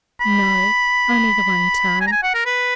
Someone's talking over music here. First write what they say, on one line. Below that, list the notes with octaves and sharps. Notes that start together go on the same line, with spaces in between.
"No, only the one time."
B5
G#5
A#5
G#5
F#5
A#4
B4